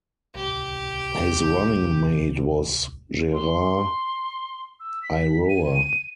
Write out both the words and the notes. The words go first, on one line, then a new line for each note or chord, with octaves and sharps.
His running mate was Gerard Iroha.
D1 C2 G4
C6
E6
B6
D#7